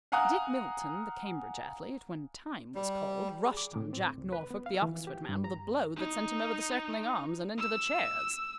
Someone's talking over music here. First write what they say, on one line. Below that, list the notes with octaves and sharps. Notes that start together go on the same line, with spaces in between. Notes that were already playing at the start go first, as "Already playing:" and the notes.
Dick Milton, the Cambridge athlete, when "time" was called, rushed on Jack Norfolk, the Oxford man, with a blow that sent him over the circling arms and into the chairs.
F5 F#5 G#5 A#5 D#6 F#6
G3
G#4
D6
A2
C4
C#2
B4
B3
F5
E3
G4
G2
A#5
D#4
E6